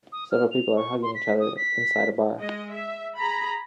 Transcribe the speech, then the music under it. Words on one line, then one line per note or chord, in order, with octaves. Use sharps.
Several people are hugging each other inside a bar.
D#6
F6
F7
C#6
C6
B6
D#6
B6
G#3 D#5
E5
G#4 A#5 B5